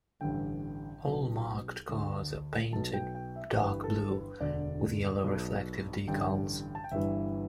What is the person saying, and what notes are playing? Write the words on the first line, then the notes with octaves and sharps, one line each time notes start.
All marked cars are painted dark blue with yellow reflective decals.
A1 G2 D3 G5
B1 B2
D2 D3
B1 B2 A5
G5
G5
E5
G1 G2 E3 B4
A4
B4
E1 D2 D3 D5
B1 B2
A1 G2 D3 G5
A5
G5
G1 G2 E3 E5